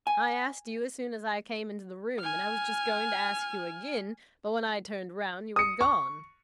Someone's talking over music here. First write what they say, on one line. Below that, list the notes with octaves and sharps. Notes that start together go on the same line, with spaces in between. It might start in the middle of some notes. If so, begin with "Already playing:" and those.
I asked you as soon as I came into the room, and I was just going to ask you again, but when I turned round, you were gone!
G#5
G#5 F6
D#6 C#7
C#6